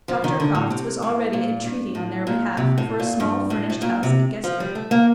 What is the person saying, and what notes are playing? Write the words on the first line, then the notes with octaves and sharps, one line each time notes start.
Dr. Crofts was already in treaty on their behalf for a small furnished house at Guestwick.
F3
D#3
D3
A2
C3
A2
A#2
G2
A2
A#2
C3
A2
A#2
G2
A2
A2
A#2
C3
F3
G3
A3
A#3